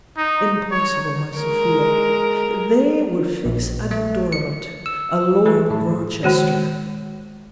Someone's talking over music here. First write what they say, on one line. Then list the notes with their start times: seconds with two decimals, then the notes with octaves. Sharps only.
Impossible! my Sophia; they would fix a Dorimant, a Lord Rochester.
0.17 D#4
0.71 C#5
1.38 G#3 A#4
3.45 A#1
3.91 A3
4.32 C#7
4.86 E6
5.46 E3
5.71 A2
6.23 D#3 G#3 F#4 C#5